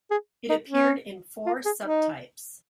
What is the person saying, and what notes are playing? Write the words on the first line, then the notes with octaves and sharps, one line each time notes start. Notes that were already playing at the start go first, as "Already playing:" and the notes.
It appeared in four sub-types.
G#4
D#4
C#4
F4
G#4
D#4